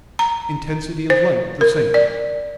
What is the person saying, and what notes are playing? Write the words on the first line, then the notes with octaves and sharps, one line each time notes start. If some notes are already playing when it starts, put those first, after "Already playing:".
Intensity of light the same.
A#5
C5
A#4
D5